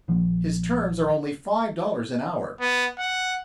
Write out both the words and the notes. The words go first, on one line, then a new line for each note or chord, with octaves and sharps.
His terms are only five dollars an hour.
A#1 F3
B3
F#5